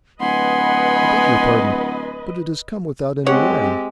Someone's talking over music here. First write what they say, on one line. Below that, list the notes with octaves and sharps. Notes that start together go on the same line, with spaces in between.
'I beg your pardon, but it has come without any warning.
D1 B4 D#5 F#5 G#5 B5 C6
G#3 C4 G4 C#5 F#5